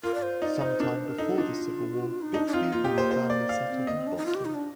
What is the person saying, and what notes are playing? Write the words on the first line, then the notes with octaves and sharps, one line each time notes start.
Some time before the Civil War, Bixby and her family settled in Boston.
F4 A#4
D5
C5
D#4 D5
D#4 C5
D4 A#4
C5
A#4
D#4 A4
D4 F4
D#4
D4 D#4
D4
C4 F4
A#3 F4
C4 G4
A#3
C5
C5
D5
F5
C4
A#3 D#5
C4
D4
D#4
F4
G4
D#4
D4